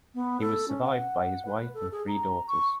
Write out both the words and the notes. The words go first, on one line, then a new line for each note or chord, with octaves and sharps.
He was survived by his wife and three daughters.
B3
A4
C#4
F#5
B4
A4
G#4
A#5
C#6